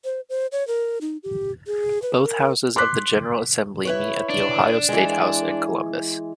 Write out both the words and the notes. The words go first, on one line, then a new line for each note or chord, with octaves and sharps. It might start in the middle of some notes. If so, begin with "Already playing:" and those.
Both houses of the General Assembly meet at the Ohio Statehouse in Columbus.
C5
C5
C#5
A#4
D#4
G4
G#4
B4
A#4
C6 D6 F#6 B6
E4 B4 C#5
D4
E3 G#3